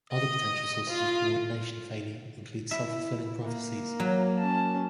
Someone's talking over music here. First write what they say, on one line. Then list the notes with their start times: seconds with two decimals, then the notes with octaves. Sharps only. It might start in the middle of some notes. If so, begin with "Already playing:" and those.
Other potential sources of coordination failure include self-fulfilling prophecies.
0.11 D#5
0.89 F4
2.71 E4 E5
3.45 A#3
4.00 F#3
4.39 C#4 A5